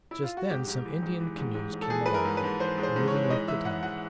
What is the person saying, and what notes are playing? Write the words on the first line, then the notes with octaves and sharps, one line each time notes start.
Just then some Indian canoes came along, moving with the tide.
E4
F4
F#4
G#2 G4
G#2
E3
G#2
E3
G#2
G#2
G#2
A4
E3 G#4
E3 B4
A#4
G#2
B4
G#2
E3 C5
G#2
C5
G#2
C#5
E3
E3 D#5
E3 E5
E3 F#5
E3 F#5